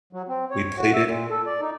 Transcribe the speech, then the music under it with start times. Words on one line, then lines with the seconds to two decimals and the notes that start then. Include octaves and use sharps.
We played it
0.13 F#3
0.28 C4
0.51 C#5
0.77 F#4
0.94 E5
1.05 A#2
1.30 A4
1.47 D5
1.61 D#4